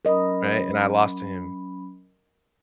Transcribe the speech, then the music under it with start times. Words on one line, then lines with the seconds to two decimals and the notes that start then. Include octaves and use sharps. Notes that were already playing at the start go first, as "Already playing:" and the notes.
Right? And I lost to him.
0.05 F#3 C#4 A#4 D#5 B5